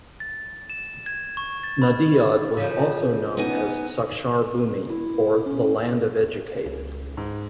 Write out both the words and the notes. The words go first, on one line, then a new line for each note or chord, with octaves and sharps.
Nadiad was also known as 'Sakshar Bhumi', or The land of educated.
A6
E7
G#6
C#6
A6
B5
C#3 F3
B3 D#4 G#5
E4
C#4
C#2
G#2